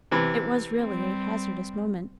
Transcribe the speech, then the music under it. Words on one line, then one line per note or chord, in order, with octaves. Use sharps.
It was really a hazardous moment.
C3 E3 B5
G3 C4